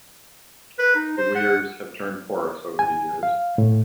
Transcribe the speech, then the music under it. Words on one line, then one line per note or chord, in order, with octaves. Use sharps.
The weirs have turned porous over the years.
B4
D#4
C5
F#5
G#5
F5
A2